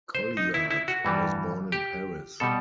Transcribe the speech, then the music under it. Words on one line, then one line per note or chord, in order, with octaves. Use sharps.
Colliard was born in Paris.
C5
D#4
E4
E4
F#4
G2 E3 G3
G4
B2 G3 A4